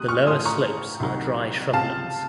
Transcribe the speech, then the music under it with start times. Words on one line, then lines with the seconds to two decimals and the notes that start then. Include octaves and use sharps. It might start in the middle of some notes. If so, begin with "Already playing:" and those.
The lower slopes are dry shrublands.
Already playing: C#2 C3 F#3 D#6 F#6
0.08 C#6 F6
0.27 A1 A2 F3 C6 D#6
0.45 A#5 C#6
1.00 C2 C3 D#3 F#3
1.73 C#2 C3 F3 F5 A5